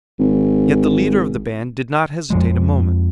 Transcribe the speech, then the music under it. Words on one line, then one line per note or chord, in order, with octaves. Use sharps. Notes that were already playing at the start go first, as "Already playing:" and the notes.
Yet the leader of the band did not hesitate a moment.
G#1
F2 F3 G#3